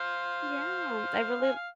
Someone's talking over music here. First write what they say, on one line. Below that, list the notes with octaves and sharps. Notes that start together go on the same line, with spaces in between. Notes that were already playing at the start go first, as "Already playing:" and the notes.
Yeah. I really l
Already playing: C5 F5
G#5
F5